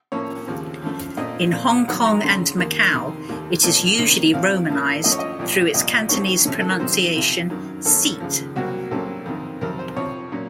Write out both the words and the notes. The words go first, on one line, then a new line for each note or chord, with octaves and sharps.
In Hong Kong and Macau it is usually romanized through its Cantonese pronunciation Sit.
A2 F3 A#3 C#4 C#5
D#2 C#3 F3 C4
F#2 F3 A3
A#2 A3 C4 D#5
A#2 F3 C4
F2 D#3 F#3 F#5
A#5
F2 C#3 A3 C#4 C6
D#2 D#3 A#3
F2 C3 D#3 C6
D#2 D#3 A3
A#2 F3 A3 C4 A5
C3 D#3 A#3 C#4
C2 C3 F3 C4 F5
A2 F3 A#3
F#2 F3 A3 D#5
C#5
D#5
C2 A#2 F3
C2 A#2 F3 D#5
D#2 D#3 F#3 A3 C4 C#5
C3 F3 A3 C#4
A4
A#4
C3 D#3 F#3 C4 C5
F2 C3 F3
F#2 D#3 F#3
F#2 D#3 A#3 C#4 A4
C#2 C#3 F3
C2 C3 F#3 A#3 F#4
C2 C3 F#3 A#3 C#4 A4
F2 C3 D#3
F2 C3 F#3 A#4
C5
C3 F3 C4 C#5
A#2 F#3 A#3 C#4